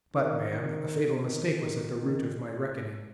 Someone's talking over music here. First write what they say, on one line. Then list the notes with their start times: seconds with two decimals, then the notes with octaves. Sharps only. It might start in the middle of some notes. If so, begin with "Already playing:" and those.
But, ma'am, a fatal mistake was at the root of my reckoning.
0.14 D#3
0.51 D#3
1.24 D#3
1.61 D#3
1.97 D#3